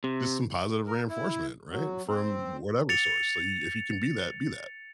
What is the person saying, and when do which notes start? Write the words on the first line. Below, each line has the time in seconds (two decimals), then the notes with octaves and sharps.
just some positive reinforcement, right? From whatever source, so you if you can be that, be that.
0.04 C3
0.87 A#4
1.08 E4
1.69 F#3
2.07 C4
2.89 A6 C#7 F7